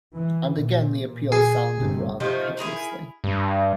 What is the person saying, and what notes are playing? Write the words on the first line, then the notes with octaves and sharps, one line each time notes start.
And again the appeal sounded rather piteously.
E3
A#2
G#4
G1 G2 C3
C3 D#3 F3 A3
E4 F4 G#4 A#4
G2